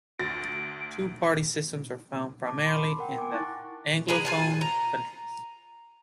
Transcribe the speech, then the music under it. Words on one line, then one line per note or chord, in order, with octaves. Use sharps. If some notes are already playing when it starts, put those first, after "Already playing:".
Two party systems are found primarily in the Anglophone countries.
D2 F#4 A6 A#6 D7
A5 D6
B5 C6
A#4 F#5 G5
G#5 D6
D#4 E4 A5 C#6 F#6 A6
G#4 A#4 B4
F4 G#5 A5
A#5